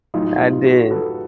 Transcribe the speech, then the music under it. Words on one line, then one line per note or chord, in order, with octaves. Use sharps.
I did.
A2 F#3 D#4 F4
F4 G4
F#4 G#4
A4 B4